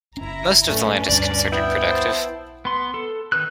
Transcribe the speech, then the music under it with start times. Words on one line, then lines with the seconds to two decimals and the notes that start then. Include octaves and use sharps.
Most of the land is considered productive.
0.17 F#1 C#4 E4 A#5
0.68 F#2 A2 A3 C#4 D4 B4
1.08 D2 G2 G3 D5
1.52 B3 E4 G5
1.84 C5 A5
2.65 B3 C6
2.94 A4
3.32 D#3 D#4 B4 E6 F#6